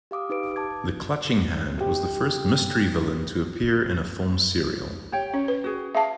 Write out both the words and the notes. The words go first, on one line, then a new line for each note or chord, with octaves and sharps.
The Clutching Hand was the first mystery villain to appear in a film serial.
G4 F5 D6 D#6
D#4 G4 B4 D7
A5 D6 G#6
G4 C5 D#5
G4 C#5 G5
C#4 C#5
B4
F#4 G#4
G#4 E5 F5 A5